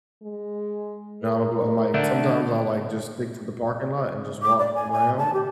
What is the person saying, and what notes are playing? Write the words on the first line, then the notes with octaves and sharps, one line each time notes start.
know, I'ma go I might sometimes I'll, like, just stick to the parking lot and just walk around
G#3
A#4
D3 A3 D4
D6
D5
G#5
G#5
A5
G4